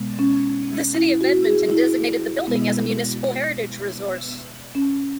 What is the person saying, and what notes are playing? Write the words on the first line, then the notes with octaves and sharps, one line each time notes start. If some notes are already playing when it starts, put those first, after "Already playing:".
The City of Edmonton designated the building as a Municipal Heritage Resource.
Already playing: B2 G#3 B3
C#4
E4
F#4
G#4
E4
B2 G#3 B3
C#4